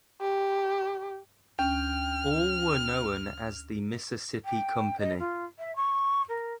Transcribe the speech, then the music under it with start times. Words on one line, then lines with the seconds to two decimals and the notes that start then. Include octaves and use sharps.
All were known as the Mississippi Company.
0.21 G4
1.59 D2 C#4 G5 F6
4.45 G5
4.99 D#5
5.19 F4
5.59 E5
5.76 C#6
6.29 A#4